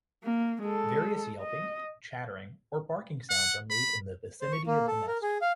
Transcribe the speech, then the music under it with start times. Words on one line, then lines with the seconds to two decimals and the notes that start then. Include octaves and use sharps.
Various yelping, chattering or barking sounds are made in the vicinity of the nest.
0.24 A#3
0.62 G#3 A4
1.41 D#5
3.30 F#5
3.70 B5
4.41 C5
4.52 C#6
4.67 A#3
4.87 A4
5.07 A#4
5.22 G#4
5.41 F5